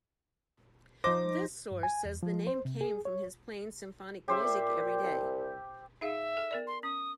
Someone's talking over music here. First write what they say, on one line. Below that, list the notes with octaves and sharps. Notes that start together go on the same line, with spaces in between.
This source says the name came from his playing symphonic music every day.
F3 D#4 C5 D6 A#6
G2
G#5
E2
F3
C5
C3
G#4
C#5
C#3 G4 C5 E5
A#2
C2
D#4 G#4 E5 F5
A4
B3 A#4 D5
C6
C#4 D#6